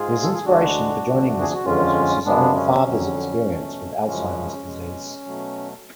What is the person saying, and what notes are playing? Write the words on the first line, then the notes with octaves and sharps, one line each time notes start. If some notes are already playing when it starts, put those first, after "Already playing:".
His inspiration for joining this cause was his own father's experience with Alzheimer's disease.
Already playing: G#2 G#3 F4 G#4
A4
G#4
D2 D3 G#3 D4 F#4
D2 D3 F3 A3
G#4
F#4
F2 D3 G#3 C#4 F4
F#2 C#3 G#3 B3 D4
C#4
F2 D3 F#3
B2 A3
F#2 C#3 F3 G#3 C#4
B2 G#3
B2 F#3 A3